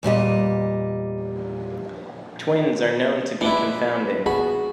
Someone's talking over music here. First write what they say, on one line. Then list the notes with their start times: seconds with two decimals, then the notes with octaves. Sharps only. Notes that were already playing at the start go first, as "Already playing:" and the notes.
Twins are known to be confounding.
0.03 E2 A#2 G3 D#5
3.41 E3 G#3 D4 E4 B4
4.26 B3 F#4 G#4 B5